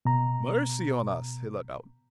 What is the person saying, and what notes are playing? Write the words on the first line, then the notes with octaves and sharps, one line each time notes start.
"Mercy on us!" he let out.
B2 A#5